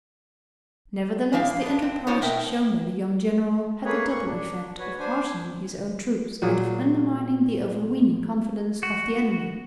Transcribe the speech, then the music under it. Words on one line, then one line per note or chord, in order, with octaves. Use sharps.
Nevertheless the enterprise shown by the young general had the double effect of heartening his own troops and of undermining the overweening confidence of the enemy.
A#2 F3 E4 G4 F5
B3 D4
C4
C4 D#4 F4 C5 C#5
B2 A#4 E5 G5
A3 A#3 G#4 B4 C#5
A#3 C#6
D4
F#4 B4 C#5
D4 C5 G#5
A#2 F#3 G#4
F#4